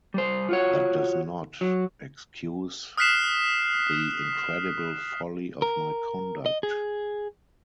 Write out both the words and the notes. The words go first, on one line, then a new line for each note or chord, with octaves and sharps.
That does not excuse the incredible folly of my conduct.
G3 C5
F4 F#4 C#5
F#3
D#6 F6 F#6 B6 C7 E7
A#4
D#5
G#4